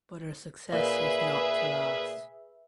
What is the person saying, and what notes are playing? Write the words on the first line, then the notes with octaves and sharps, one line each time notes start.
But her success was not to last.
A#2 G#4 B4 E5